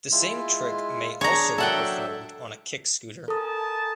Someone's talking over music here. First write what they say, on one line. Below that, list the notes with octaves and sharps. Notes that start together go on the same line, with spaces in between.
The same trick may also be performed on a kick scooter.
G#3 E4 F4
D4 G#4 C#5 A#5
F#3 D4 A4 E5 F#5 G5
A4 A#4 G#5 A5 D#6